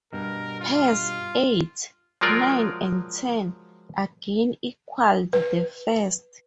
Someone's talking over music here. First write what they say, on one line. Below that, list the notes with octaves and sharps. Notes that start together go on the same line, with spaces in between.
Pairs eight, nine and ten again equalled the first.
G2 B2 A#4
F4
F3 F#3 G#3 F4 A#4 D5
B4